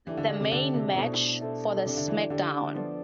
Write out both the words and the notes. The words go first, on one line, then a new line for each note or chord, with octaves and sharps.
The main match for the SmackDown!
E3 A3 D4 G4
D3
D3
C3
D3 A3 D4 G4
C3
B2 E4 A4 C5 E5
E4 A4 C5 E5
C3 D4 G4 D5
D3
E3
D3 D4 G4 D5
F3 B3 F4 A4 D5